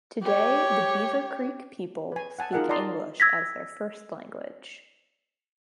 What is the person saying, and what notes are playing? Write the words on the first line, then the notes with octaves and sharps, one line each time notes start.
Today the Beaver Creek people speak English as their first language.
G4 C#5
B4 G#5
F#5 G#5 A5
D#4 F4 G#4 A#4 D#5 F#5
D#4 D5 D#5 A5 A#5 C6
E6 G#6 A#6 B6